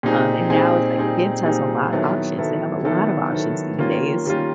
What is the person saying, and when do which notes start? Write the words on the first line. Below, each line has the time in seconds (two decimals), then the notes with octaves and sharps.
um, and now, it's like, kids has a lot of options; they have a lot of options these days.
0.03 A#2 G3 C4 D#4 G#4
0.50 A#2 G3 C4 D#4 G#4
0.97 A#2 G3 C4 D#4 G#4
1.43 A#2 G3 C4 D#4 G#4
1.91 D#3 F#3 B3 E4 A4
2.38 D#3 F#3 B3 E4 A4
2.85 D#3 F#3 B3 E4 A4
3.31 D#3 F#3 B3 E4 A4
3.78 D#3 G3 A#3 C#4 F4
4.26 D#3 G3 A#3 C#4 F4